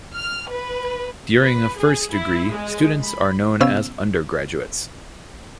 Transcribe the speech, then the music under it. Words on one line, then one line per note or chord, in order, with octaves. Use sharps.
During a first degree students are known as undergraduates.
F6
B4
B4
G#4
E4
G#3
B5
C3 B3 C#4 F5 E6